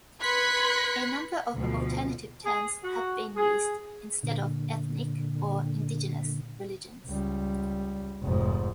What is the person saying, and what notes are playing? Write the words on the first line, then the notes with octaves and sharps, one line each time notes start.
A number of alternative terms have been used instead of "ethnic" or "indigenous" religions.
B4 C6 F#6 G#6 B6 C#7
D2 B2 F3
G#4
F#4
G#4
A#2 D3
C#2 G3
F1 G#2